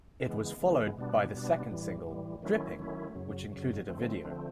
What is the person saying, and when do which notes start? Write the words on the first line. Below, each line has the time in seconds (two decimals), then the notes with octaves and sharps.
It was followed by the second single, "Dripping," which included a video.
0.24 C#3 E3 G#3 B3
0.62 C#3 E3 G#3 B3
0.98 B2 G3 B3 D4
1.34 B2 G3 B3 D4
1.70 A2 E3 G3
2.07 A2 E3 G3
2.42 D#3 F#3 A3 C#4 E4
2.79 D#3 F#3 A3 C#4 E4
3.15 F#2 C#3 F#3
3.51 F#2 C#3 F#3
3.88 D3 F3 A3 C4
4.24 D3 F3 A3 C4